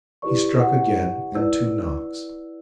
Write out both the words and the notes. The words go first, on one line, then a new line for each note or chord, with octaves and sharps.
He struck again, and two knocks.
E4 G4 B4 D5 C#6
F#5
F#5
E4 B4 D5 E6